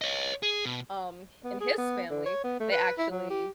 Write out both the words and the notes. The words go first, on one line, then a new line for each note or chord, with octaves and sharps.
um, in his family, they actually
C#5 D#5
G#4
B2
B3
G#4
B3
D3
C#5
B3
A3
B4
E4
F#3
G4